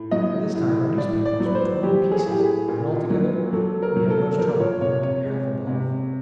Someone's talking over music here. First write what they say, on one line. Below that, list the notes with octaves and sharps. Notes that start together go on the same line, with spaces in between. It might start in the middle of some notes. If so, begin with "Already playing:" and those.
By this time our newspapers were torn in pieces, and altogether we had much trouble in collecting half a bottleful.
Already playing: A2
F#3 D#5
A2
A2 D5
D5
F#3
B4
C5
F#3 G4
G#4
A2
G4
G#4
A#2
F#3
F#3 A4
A#4
F#3
A4
F3 A#4
C#5
C3 C#5
C#5
G#3
C3